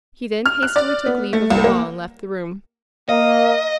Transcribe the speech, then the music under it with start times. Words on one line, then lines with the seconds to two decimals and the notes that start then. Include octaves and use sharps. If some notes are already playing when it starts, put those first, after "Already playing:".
He then hastily took leave of them all and left the room.
0.46 F6
0.62 F#6
0.76 D5
1.06 B3
1.33 A3
1.50 C2
1.64 A#3
3.09 A#3 D#5 F5